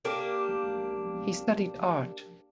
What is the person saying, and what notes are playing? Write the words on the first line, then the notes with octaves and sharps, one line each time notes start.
He studied art.
A#3 D4 G4